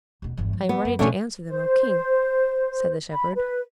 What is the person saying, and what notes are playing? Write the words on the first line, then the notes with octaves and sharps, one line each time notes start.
"I am ready to answer them, O king!" said the shepherd.
D#1 B2
G1 E2
F3
B3
F#2
B2 D3 F3 A3 C#4
C5
B5
B4